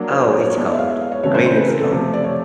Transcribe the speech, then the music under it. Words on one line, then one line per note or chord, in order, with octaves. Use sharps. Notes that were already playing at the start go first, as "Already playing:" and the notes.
Oh, it's cold. I mean, it's cold.
Already playing: F#3 A#3 D4
C5
C#5
C5
C#5
G#3 B3 E4 A4 C#5 D5
D#5
E5
F5
E5
F5
C#5
C#3 E3 A3 C4 C#5
C5
C5
B4
A#4
A4
C3 F3 A3
D5
C#5